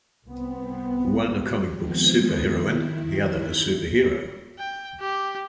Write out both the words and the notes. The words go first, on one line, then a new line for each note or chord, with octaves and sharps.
One a comic book superheroine, the other a superhero.
C2 B3 C4
D#3 F3 G#3 B3 C4
D#3 E4
G5
G4